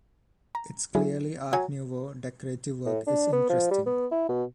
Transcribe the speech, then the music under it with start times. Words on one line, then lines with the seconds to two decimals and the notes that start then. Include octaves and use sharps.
Its clearly art-nouveau decorative work is interesting.
0.55 A#5
0.95 F#3 E4 G#4
1.53 F#3 G#5
2.86 A2
3.07 D4
3.33 B3
3.50 F3
3.71 G3
3.86 B3
4.12 E4
4.29 B2